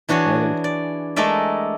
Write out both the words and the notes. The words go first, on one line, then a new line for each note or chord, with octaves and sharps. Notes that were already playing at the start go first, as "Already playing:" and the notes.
and it's
E3 D4 F#4 G#4 C#5
D5
G#3 A3 A#4 D5 E5